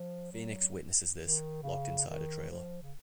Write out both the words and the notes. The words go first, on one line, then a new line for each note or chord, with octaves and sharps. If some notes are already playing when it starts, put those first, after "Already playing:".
Fenix witnesses this, locked inside a trailer.
Already playing: F3
F#3
D#3
C#3
D#3
F3
C#3